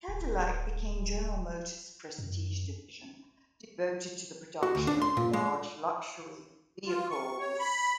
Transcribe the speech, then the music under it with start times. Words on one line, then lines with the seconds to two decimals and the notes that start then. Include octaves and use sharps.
Cadillac became General Motors' prestige division, devoted to the production of large luxury vehicles.
0.08 D1
2.18 F#2
4.63 F#4
4.75 D2
4.87 D4
5.02 C6
5.17 A#2
5.33 G#3
6.87 F4
7.11 C#6
7.40 C#5
7.59 B5